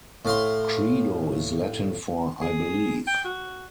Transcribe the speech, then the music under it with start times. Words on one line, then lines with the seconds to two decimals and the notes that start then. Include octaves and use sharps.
Credo is Latin for I believe.
0.25 A2 F5 C6
2.42 G#4
3.07 G5
3.25 F#4